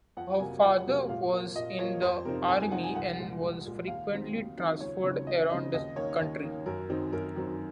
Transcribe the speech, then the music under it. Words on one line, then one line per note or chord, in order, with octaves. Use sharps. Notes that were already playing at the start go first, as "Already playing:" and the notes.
Her father was in the Army and was frequently transferred around the country.
F2 F#5
C3 F#3 A#3 G#5
F2 F#5
C3 F#3 A#3
A#2 F5
F3 A#3
A#2 D#5
F3 A#3 C#5
F2 C5
C3 F3 C4 D#4 A#4
F2 G#5
G#5
C3 F3 C4 D#4 F#5
G#5
C2 F#5
A#2 G#3
C2
A#2 G#3
D#2 F5
D#3 F#3 C4 D#4
D#2
D#3 F#3 C4 D#4
C#2 C#5
C#3 F#3 C4 D#4 C#5
C#2 D#5
C#3 F#3 C4 D#4 D#5
D#2 D#5
D#3 A#3 C#5
D#2
D#3 A#3
F#2 A#4
D#3 F#3 C4 D#4
F#2 A#4
D#3 F#3 C4 D#4